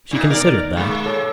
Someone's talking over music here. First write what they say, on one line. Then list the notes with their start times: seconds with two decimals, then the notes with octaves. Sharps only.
She considered that.
0.11 A#2 D#4
0.30 B2 D#3 D#4 A#4 D5
0.77 G#3 A#3
1.06 A4 C#5 E6